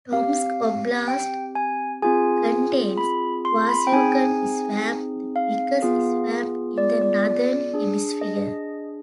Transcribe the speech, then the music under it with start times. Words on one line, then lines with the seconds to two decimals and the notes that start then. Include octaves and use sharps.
Tomsk oblast contains Vasyugan Swamp, the biggest swamp in the northern hemisphere.
0.12 C4 G4 F5
1.08 G5
1.55 G#5
2.02 C4 F4 G#4 G#5
2.97 B5
3.45 C6
3.69 B5
3.87 G5
3.92 C4 D#4 G#4 G#5
5.36 F5
5.83 B3 F4 G#4
6.78 D5
7.02 D5
7.74 D4 G#4
8.21 D#5